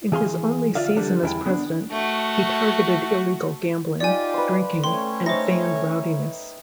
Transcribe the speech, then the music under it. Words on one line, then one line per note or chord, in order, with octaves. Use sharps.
In his only season as president, he targeted illegal gambling, drinking and fan rowdiness.
E3 G#4 F5 C6
F4 D5 E5 F5
D3 G3
E2 E4 G5
B3 D4
A3 F#4
D#4 F4 G4 D5 G#5
B4 C5
A3 C#4 C#5 G5 C6
D#4 C5 E5 C#6 A#6